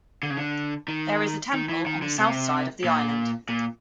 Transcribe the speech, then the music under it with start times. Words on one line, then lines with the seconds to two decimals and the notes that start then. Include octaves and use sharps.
There is a temple on the south side of the island.
0.23 D3
0.30 C#3
0.37 D3
0.88 D#3
1.53 D#3
1.69 E3
1.86 D#3
2.02 D3
2.18 C3
2.84 A#2
3.49 A#2